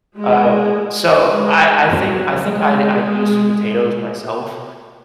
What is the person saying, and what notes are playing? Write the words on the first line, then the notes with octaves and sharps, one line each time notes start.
Um, so I I think, I think I'd I'd use potatoes myself,
G#3
G#3
F#3
G#3